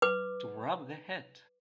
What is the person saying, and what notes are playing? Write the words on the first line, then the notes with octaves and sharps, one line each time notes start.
To wrap the head.
B4 D6